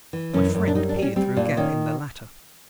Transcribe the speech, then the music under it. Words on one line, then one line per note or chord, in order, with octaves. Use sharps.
My friend peered through a gap in the latter.
E3
F#2 C#4
F#2
D4
G3 D#4
D4
G3
C#4
G3 C4
A#2 D4
D#3 C#4